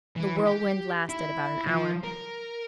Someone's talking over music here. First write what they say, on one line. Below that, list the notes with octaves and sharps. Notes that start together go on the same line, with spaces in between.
The whirlwind lasted about an hour.
E3
G4
E4
F3
A#4